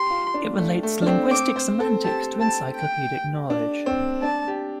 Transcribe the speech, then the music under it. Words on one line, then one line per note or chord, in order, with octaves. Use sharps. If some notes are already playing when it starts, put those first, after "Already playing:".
It relates linguistic semantics to encyclopedic knowledge.
Already playing: G4 C6
F4
D4
A3
A3
D4
C4
C4 D6
C5
A4
G4 A5
A5
G5
D4
C4
D4 A5
G4